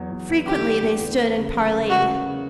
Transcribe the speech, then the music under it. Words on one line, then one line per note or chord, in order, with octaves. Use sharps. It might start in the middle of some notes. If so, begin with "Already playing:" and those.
Frequently they stood and parleyed.
Already playing: E2 F#3
E2
E2
D3 G4
D3
E2
E2
A#3
C#3
F#3
C#3
C#3 F#4
C#3
C#3